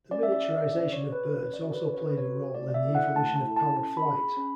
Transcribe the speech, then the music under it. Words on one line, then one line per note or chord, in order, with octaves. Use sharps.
The miniaturization of birds also played a role in the evolution of powered flight.
C#4 D5
E5
D5
G#4
E5
C#4 D5
C#5
G#4
B4
C#4 C#5
C#5
D5
F#4 A4
B4
C#4 C#5
B4
C#5
F#4 A4
A3 D5
D5
E5
E4 A4
F#5
A3 A5
A5
E4 A4
A5
C#4 A5
B5
G#4
B5
C#4